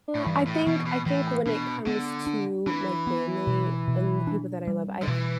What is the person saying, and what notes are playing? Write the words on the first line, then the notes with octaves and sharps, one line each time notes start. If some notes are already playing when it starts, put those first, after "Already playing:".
uh, I think I think when it comes to my family and the people that I love, I
A2
G2 E3
A2
B2 E3
B2
A2 E3
B2 D4
D3 B3
D4
E3 D4
B3
B2
B2
D4
G3
D3
B2 E3